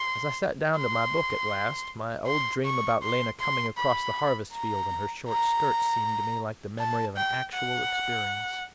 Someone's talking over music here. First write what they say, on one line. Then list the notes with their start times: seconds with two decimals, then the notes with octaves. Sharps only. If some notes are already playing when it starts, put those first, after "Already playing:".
As I sat down to my book at last, my old dream about Lena coming across the harvest field in her short skirt seemed to me like the memory of an actual experience.
Already playing: C6
0.77 C6
2.27 C6
2.65 C#6
3.03 C6
3.40 C6
3.77 B5
4.53 A#5
5.29 A#5
6.79 A5
7.17 G5
7.54 F#5